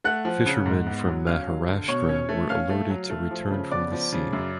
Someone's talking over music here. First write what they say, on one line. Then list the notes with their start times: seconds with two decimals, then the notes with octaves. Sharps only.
Fishermen from Maharashtra were alerted to return from the sea.
0.04 A3 F#5 F#6
0.25 F3
0.46 C#3
0.66 G#2
0.87 B3
1.07 F#3
1.27 C#4 F5 F6
1.47 F#3
1.68 D3
1.88 B2 C#5 C#6
2.09 C#4
2.29 A3
2.49 C#4 F5 F6
2.70 A3
2.90 F#3
3.10 A3
3.31 F3
3.51 C#3
3.71 B3 D5 D6
3.92 F3
4.12 C#3
4.33 F#2